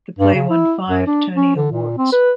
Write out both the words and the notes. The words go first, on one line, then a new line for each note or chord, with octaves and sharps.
The play won five Tony Awards.
G2
C#3
E4
F#2
D4
C#4
D3
A#2
C4
B4